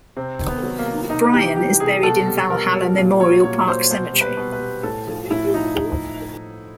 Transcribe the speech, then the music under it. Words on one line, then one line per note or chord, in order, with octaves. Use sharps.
Bryan is buried in Valhalla Memorial Park Cemetery.
C3 C4
D#3
B3
F#3
A#3
C3
C3 D#4
E3 G4
G3 G4
C3 G#4
B2 A4
G3
B2 A#4
G3
A#2
F#3 C#5
A#2 C#5
F#3 C5
B2 C5
G3
B4
B2
B4
G3
A2 A4
F3 A4
A2 E4
F3 D#4